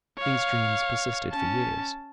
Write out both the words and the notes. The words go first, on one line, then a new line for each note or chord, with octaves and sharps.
These dreams persisted for years.
C#5 F5
C#4 A5